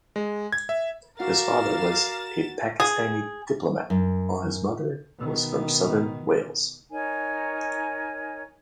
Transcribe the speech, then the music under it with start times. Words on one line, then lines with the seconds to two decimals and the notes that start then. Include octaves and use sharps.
His father was a Pakistani diplomat while his mother was from Southern Wales.
0.16 G#3
0.52 G#6
0.69 E5
1.20 F#4 A#4 D5 F5 A6 E7
2.80 G#4
3.90 F#2
5.18 B2 D#3
6.90 D#4 A#4 C#5 G#5